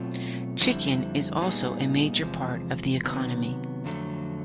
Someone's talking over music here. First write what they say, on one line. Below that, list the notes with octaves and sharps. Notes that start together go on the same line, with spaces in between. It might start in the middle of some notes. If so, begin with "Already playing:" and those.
Chicken is also a major part of the economy.
Already playing: B2 F#3 A3 C4 F4
F2 D3 G3 C4 E4
A#2 G3 B3 D#4 G#4
E2 C3 F3 G#3
C3 D#3 F#3 B3
F2 D3 F#3 A3